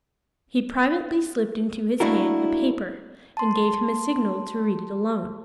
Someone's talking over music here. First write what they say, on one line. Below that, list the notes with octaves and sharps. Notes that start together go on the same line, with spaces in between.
He privately slipped into his hand a paper, and gave him a signal to read it alone.
A3 A#3 D4 E4 F#4 A#4
A5 C6